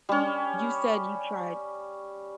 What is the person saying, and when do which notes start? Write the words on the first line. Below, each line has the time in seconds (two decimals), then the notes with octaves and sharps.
you said you tried
0.09 G3 C#4